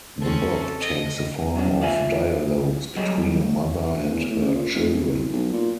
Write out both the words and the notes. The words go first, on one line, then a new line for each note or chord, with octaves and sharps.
The book takes the form of dialogues between a mother and her children.
C4 C#4 A4
D#5
F#3 C#4 D4
D4 F4 D5 E5 F5 G#5
F#3 G3 G#4 A4 C#5 D#5
D2
E2
A2
C#3
A#2
F1
E1
C2
B1
A#2